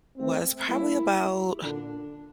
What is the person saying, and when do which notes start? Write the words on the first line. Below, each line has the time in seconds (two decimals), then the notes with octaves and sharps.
was probably about
0.18 A3 C4
0.66 G3 A#3 E4
1.63 A#2 D3 D4